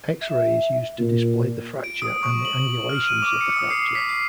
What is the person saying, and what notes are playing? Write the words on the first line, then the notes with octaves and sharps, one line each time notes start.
X-ray is used to display the fracture and the angulations of the fracture.
E5
A#2
D7
D#6
C#6
F#7
F6
D#7
D6
C#7
D#6
C7
B6
C7